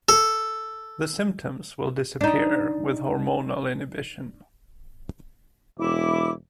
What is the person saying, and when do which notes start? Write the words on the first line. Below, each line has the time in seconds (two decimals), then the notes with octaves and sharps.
The symptoms will disappear, with hormonal inhibition.
0.09 A4
2.21 D4 D#4
5.79 E1 E4 D6